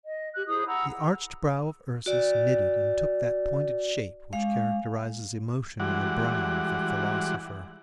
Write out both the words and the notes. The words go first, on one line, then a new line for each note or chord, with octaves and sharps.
The arched brow of Ursus knitted and took that pointed shape which characterizes emotion on the brow of a philosopher.
D#5
G4 F#6
E4 G#4 C5 D#6
F#5 A#5 B5 E6
F#4 D5
G#3 F5
E3 G3 G#3 F#4 D5 F#5